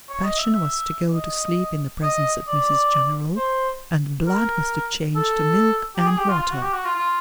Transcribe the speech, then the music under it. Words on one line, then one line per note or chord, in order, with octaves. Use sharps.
Passion was to go to sleep in the presence of Mrs General, and blood was to change to milk and water.
C#5
D#5
E5
E5
D#5
D#5
D5
C5
A#4
A4
G4
G#4
G4
F4
F4
F#4
G4
F#4
F4
F4